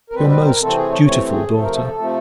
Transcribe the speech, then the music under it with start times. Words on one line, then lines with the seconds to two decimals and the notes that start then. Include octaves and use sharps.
Your most dutiful DAUGHTER.
0.10 A#4
0.15 B2 G3 C4 B4
0.30 B4
0.45 A#4
0.60 C3 E3 A3 C4 A4
0.77 G#4
0.91 C#5
1.06 C3 E3 A3 C4 C#5
1.30 G#4
1.53 C3 F3 A3 A4
1.63 A#4
1.74 A4
1.99 C3 F3 A3